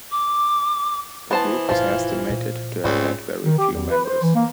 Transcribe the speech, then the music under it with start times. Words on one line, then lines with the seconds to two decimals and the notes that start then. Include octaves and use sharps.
The group is estimated to have had very few members.
0.11 D6
1.31 E3 B3 C5 A5
1.69 F#1 A#2 F3 F4
2.29 A#2
2.84 C#2 G#2 G3 C4
3.44 D#3
3.58 G4
3.72 E2
3.89 B4
4.05 C5
4.22 E3
4.35 A#3